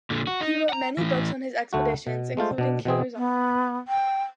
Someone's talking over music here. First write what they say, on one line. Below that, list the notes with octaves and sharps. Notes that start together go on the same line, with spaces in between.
He wrote many books on his expeditions, including Killers All!
A#2 D3
F#4
D#4
F#5 A#5
A2 E3
D2 A3 F#4
B2
G#3 A3 F4 C5
B2 D4
B2 E3 C4 G#4
B3
G5